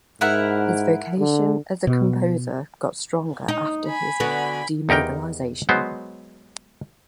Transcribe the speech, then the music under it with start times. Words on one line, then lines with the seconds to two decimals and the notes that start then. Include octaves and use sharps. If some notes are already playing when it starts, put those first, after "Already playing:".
His vocation as a composer got stronger after his demobilization.
0.21 G#2 E4 A#4 F#5
1.19 D3
1.87 B2
3.48 D#4
3.87 G#5 B5
4.20 D3 B3 F#4
4.89 E2 D#4 G4 A#4 G5
5.69 F#3 G#3 B3 C5